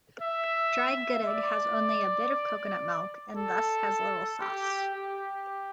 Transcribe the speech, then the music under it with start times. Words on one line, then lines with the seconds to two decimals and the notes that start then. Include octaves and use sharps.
Dry gudeg has only a bit of coconut milk and thus has little sauce.
0.21 E5
1.27 D5
3.36 A4
4.42 G4
4.94 G4